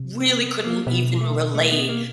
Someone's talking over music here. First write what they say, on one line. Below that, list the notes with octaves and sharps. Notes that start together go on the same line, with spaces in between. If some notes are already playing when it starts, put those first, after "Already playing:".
really couldn't even relate.
Already playing: C3
C4
B3
A#3
B2 B3
A3
A3
B3
A#3